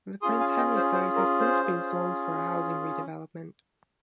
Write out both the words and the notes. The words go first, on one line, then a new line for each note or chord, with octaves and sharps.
The Prince Henry site has since been sold for a housing redevelopment.
C#4 F4 G#4 C6 D#6
F5 G#5
D#5 G5
C5
C5
A#4
C5
C#4 F4 G#4